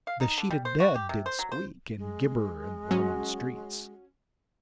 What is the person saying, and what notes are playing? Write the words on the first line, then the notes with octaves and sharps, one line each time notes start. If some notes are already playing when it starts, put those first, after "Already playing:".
"The sheeted dead Did squeak and gibber in the Roman streets."
F5
D#4
D3
G3
C5
F#4
G4
C3
C5
F#3
C5
G#3
F#3 C#4 F#4